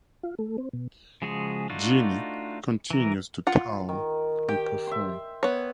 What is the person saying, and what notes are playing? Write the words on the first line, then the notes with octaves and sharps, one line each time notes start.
Jeannie continues to tour and perform.
F4
A3
C4
B2
C#3 F3 G#3 F#4 G#4
A3 D4 D#4 F4 F#4
E3 A#4
F4 F#5
D#3
G4 G5
E5 C6
B3 C#5